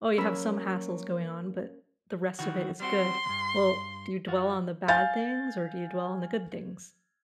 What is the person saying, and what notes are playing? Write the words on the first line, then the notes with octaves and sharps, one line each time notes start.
oh, you have some hassles going on, but the rest of it is good. Well, do you dwell on the bad things or do you dwell on the good things?
F#3 A#3 C#4 A#4 B5 E6
D#3 E3 F#4
G3 C4 F#4 C6
D2 G2
F#2 F4 F#4
F5 G#5 G6 A6